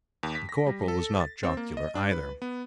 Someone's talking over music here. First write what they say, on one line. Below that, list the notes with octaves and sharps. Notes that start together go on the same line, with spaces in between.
The Corporal was not jocular either.
D#2
B6
A#6
G3
A4
A6
C4
A#3
D#5
D4
B4
B3